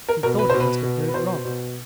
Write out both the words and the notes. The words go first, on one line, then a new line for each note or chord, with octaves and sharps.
He thought he must have heard wrong.
A#4
B2 A#4
B4
B2 C5
B4
B2
B4
B2 C5
B2